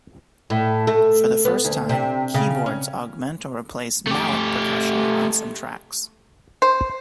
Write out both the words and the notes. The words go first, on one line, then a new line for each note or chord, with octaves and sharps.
For the first time, keyboards augment or replace mallet percussion on some tracks.
A2
A3
B3
D2
C3
C#3
C#4
A3 G4
C5